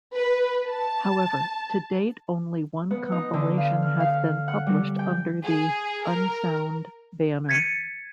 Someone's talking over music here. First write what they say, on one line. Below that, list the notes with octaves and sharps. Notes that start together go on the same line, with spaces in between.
However, to date only one compilation has been published under the "Unsound" banner.
B4
A5
B3
D#4
D3
F5
F6
F5
F#5
G3
G5
G#4
A#4
G#6 A6 B6 C#7 D#7